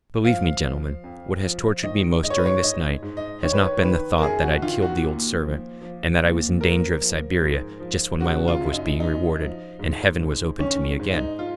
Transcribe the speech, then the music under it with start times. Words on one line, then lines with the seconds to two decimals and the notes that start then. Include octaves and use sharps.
Believe me, gentlemen, what has tortured me most during this night has not been the thought that I'd killed the old servant, and that I was in danger of Siberia just when my love was being rewarded, and Heaven was open to me again.
0.25 F3 F5
0.64 F3
1.04 F2
1.44 F3
1.83 D#3 D#5
2.23 G#2 D#5
2.30 C#5
2.38 B4
2.46 C#5
2.63 G#2 D#5
3.03 G#2
3.17 D#5
3.43 D#3 C#5
3.53 B4
3.63 C#5
3.83 D#3 B4
4.18 A#4
4.22 F#2 G#4
4.42 F#4
4.62 D#3 F4
4.82 F#4
5.02 A#2
5.41 F3
5.82 F3
6.22 A#2
6.61 F3 A#4
7.01 F3
7.41 G#2
7.80 F3
8.20 C#3 F#4
8.48 F4
8.61 F#2
8.73 D#4
9.00 F#2 D#4
9.40 F3
9.79 G#2
10.20 G#2
10.59 D#3 C#4
11.00 G#2
11.13 D#4
11.39 F4